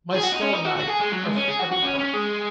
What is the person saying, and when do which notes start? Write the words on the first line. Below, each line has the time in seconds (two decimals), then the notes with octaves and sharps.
My stall and I are for ever parted.
0.15 G#4
0.23 F#4
0.33 D#4
0.42 C#4
0.53 D#4
0.65 F#4
0.77 F#4
0.88 G#4
1.00 G#3
1.13 F#3
1.24 G#3
1.36 C#4
1.48 G#4
1.59 F#4
1.71 F#4
1.82 C#4
1.98 C#4
2.13 G#3